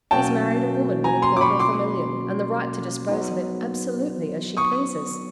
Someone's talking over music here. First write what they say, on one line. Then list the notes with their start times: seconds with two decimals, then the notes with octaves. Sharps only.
He's married a woman with a quarter of a million and the right to dispose of it absolutely as she pleases.
0.11 B2 F#3 A#3 C#4 F#4 G5 A5
1.04 G#5 A#5
1.22 A#5 C6
1.37 D6
1.41 B5 C#6
1.59 C6 D6
3.08 F#3 B3 D#4
4.57 C#6 D#6